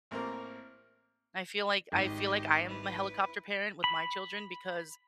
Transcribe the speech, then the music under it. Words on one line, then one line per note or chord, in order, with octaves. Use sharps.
I feel like I feel like I am a helicopter parent with my children because
A1 A#3 C4 A#4
G#1 G4 D#5
E4 B4
B5